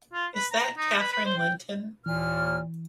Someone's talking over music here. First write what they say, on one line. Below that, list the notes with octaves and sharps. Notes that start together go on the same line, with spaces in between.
Is that Catherine Linton?
F4
B4
A#5
D#4
B4
B4
C5
G5
D#2 A#2 E3 F6